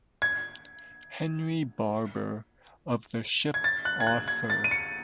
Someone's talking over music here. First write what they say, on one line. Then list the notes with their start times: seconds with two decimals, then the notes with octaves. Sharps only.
Henry Barber, of the ship "Arthur".
0.22 G#6
3.54 G#6
3.64 A6
3.85 F#6
4.00 G#6
4.07 F#6
4.28 G#6
4.50 A6
4.64 D#7
4.71 C#7